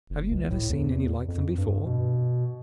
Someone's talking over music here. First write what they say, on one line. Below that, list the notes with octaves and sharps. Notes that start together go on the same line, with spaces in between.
"Have you never seen any like them before?"
F#1
C#2
A2
E2
F2
G2
B2